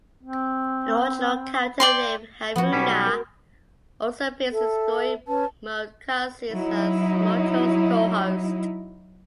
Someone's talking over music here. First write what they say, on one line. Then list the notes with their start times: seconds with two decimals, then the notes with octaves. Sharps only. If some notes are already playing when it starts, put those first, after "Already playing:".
An original character named Haruna also appears in story mode cutscenes as Mujoe's co-host.
0.23 C4
1.80 D5 G5 C6
2.56 F3 B3 F#4
2.72 B1 G3 C#4 B6
3.06 A#4
4.50 A4 E5
5.27 C#4 B4 A5
6.51 F#3 D#4 E4